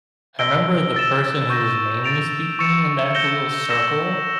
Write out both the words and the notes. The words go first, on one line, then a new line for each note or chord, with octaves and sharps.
I remember the person who was mainly speaking in that little circle,
E6 A#6 D7 G7
E6 A6 E7
C#6 G6 A#6
A6 D7 F7
C#6 E6 A6 C#7 E7
G6 A#6 C#7 E7 G7
E6 A#6 E7